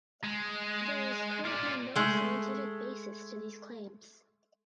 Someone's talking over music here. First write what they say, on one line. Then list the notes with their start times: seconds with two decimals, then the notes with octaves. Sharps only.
There is currently no scientific basis to these claims.
0.24 G#3
1.45 F4 D5
1.96 G#3 A3